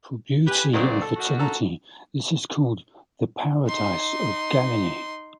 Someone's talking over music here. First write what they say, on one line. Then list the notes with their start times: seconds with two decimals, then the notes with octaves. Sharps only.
For beauty and fertility this is called "the Paradise of Galilee".
0.47 G4 B4 G#5
0.73 B1 A#2 C#3 C4 F#4 D5
1.02 A4
1.16 F#2 F#4
1.39 A4 A#5
3.67 D#4 C6